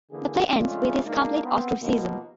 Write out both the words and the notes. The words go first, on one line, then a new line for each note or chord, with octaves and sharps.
The play ends with his complete ostracism.
D3 E3 A#3 G#4
F2 C#3 G#3 A3 D4 F4
G#3 A#3 D4 D#4
B3 C4
D#2 B2 F3 A#3